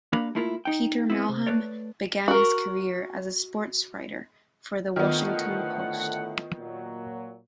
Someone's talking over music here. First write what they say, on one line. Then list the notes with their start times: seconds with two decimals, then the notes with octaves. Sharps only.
Peter Mehlman began his career as a sportswriter for "The Washington Post".
0.13 A#3 D4 F#4 A#4 F5 B5
0.35 A3 A#3 E4 F4 A#4 E5
0.65 D#4 G5
1.10 B3 C4 E4
1.29 C3
1.47 A3 B4 C#5 D5
2.28 F#4 A#4
4.96 D2 A2 D#3 B3 F4 D#5 F#5 F6
6.58 A#2 F#3